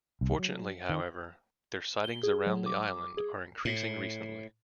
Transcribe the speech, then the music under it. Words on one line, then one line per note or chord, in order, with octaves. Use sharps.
Fortunately, however, their sightings around the island are increasing recently.
C2
F#3
D#3
G7
G#4
F#3
D6
G#4
A2